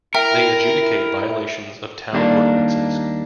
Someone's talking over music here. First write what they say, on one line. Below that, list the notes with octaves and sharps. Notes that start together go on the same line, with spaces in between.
They adjudicate violations of town ordinances.
E4 A#4 E5 G5
D#2 G3 A#3 D4